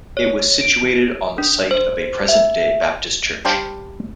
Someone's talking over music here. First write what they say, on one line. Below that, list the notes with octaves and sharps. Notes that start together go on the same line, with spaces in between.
It was situated on the site of a present-day Baptist church.
C#5
D7
D4
C5
E5
G3 D4 G4 C5 D5 F5